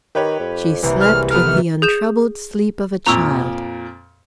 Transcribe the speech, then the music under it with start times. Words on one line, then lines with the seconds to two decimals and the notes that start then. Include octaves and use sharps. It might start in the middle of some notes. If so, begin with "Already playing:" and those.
She slept with the untroubled sleep of a child.
0.15 D#3 G4 B4 C#5
0.40 F2
0.83 C2 C3 E3 A#3
1.01 G3 G#3 F6
1.31 B3 A4 A#4 F6
1.45 D#3 E3
1.82 G#4 G6 E7
3.06 F2 A#2 A#5 C#6 E6